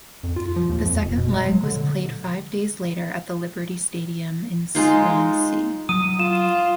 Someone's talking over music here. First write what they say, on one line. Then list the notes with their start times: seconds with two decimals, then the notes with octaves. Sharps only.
The second leg was played five days later at the Liberty Stadium in Swansea.
0.23 F2
0.36 F4
0.56 F3
0.69 D#2
0.85 F2
1.05 F1
1.17 B2
1.33 G#3
1.48 F#3
1.63 D3
4.75 G#3 D#4 F4
5.89 F#3 D#6 D#7
6.20 F4 E7